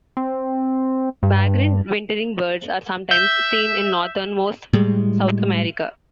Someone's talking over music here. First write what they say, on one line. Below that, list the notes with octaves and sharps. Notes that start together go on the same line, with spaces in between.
Vagrant wintering birds are sometimes seen in northernmost South America.
C4
G2
E5 G6
A2 G3 G#3